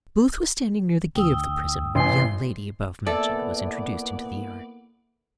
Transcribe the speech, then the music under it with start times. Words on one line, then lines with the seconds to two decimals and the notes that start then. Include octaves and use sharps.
Booth was standing near the gate of the prison when the young lady above mentioned was introduced into the yard.
1.15 D2 G5 D#6 E6
1.95 A1 G2 C3 B3 G#5 C6
3.07 E3 A#3 B3 A4 D5